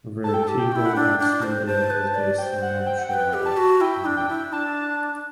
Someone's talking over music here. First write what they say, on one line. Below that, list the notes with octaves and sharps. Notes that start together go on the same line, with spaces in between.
VertigoXmedia is based in Montreal, Canada.
A4 A5
G5
G4 A5
G5
F#4
E4
F#5
D4 G5
D4
C5
C5 A5
B4
D5
C5 D5 G5
F#5
G5
F#5
B4 C5 G5
G4
A5
F#4
E4 G5
D4
G5
E4
D4 A5